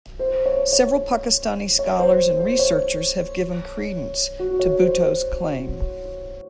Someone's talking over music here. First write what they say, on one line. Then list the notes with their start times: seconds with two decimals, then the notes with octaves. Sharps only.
Several Pakistani scholars and researchers have given credence to Bhutto's claim.
0.19 C5
0.46 C#5
0.73 C#5
1.79 C#5
1.99 C5
2.39 C5
2.59 C#5
4.39 F#4
4.59 C#5
4.80 C5